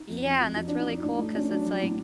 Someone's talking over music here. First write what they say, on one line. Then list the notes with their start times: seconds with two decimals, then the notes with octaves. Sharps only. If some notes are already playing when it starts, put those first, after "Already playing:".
Yeah, and that's really cool 'cause it's like
Already playing: D#4
0.08 F2
0.25 F2
0.40 F2
0.56 F2 D#4
0.68 F2 D4
0.79 D#4
0.87 F2
1.03 A2 D4
1.18 A3 D#4
1.34 C#4 D4
1.50 F#3 D4
1.65 F#3
1.82 A2